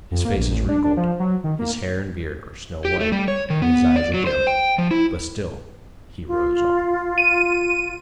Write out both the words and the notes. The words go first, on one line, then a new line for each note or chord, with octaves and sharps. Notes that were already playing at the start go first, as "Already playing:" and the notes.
His face is wrinkled, his hair and beard are snow white, and his eyes are dim; but still he rows on.
F2
A#3
A#1
A1
D4
D4
F3
F#3
D#3
A#3
G4
A3
G3
C#5
D#3
B3
D5
F#3
C5
G5
F3
E4
F4
D#7